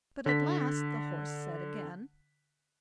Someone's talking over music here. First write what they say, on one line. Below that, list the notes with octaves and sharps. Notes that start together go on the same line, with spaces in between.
But at last, the Horse said again.
D3 B6